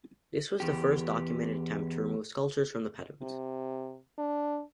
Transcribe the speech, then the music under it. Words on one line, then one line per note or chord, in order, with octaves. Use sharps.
This was the first documented attempt to remove sculptures from the pediments.
E2 G4
C3
D4